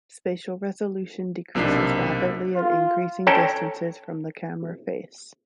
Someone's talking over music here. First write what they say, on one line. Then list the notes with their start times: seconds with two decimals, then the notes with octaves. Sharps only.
Spatial resolution decreases rapidly at increasing distances from the camera face.
1.55 B1 C3 A#3 D4 D#4 C7
2.56 F4
3.27 C#4 A4 G5 A#5